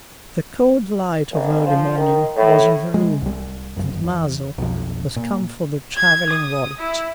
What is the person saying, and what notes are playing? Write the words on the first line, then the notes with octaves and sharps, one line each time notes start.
The cold light of early morning was in the room, and Maso was come for the travelling-wallet.
G#1
F3
D#3
A2
G#3
C2 G3
G1 F#2
E2
B1 F2
A#2
G#6
D#6
E4